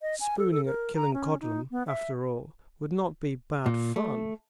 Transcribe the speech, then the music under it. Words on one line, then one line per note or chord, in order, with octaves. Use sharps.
Spooning at Killancodlem, after all, would not be bad fun.
D#5
G#5
A4
A4
A#4
A#5
C#4
D#4
B3
E5
A#2
A3